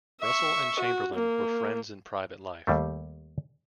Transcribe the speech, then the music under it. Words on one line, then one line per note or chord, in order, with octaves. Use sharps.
Russell and Chamberlain were friends in private life.
E5 C#6
F#4
A#3
D#2 G3 A3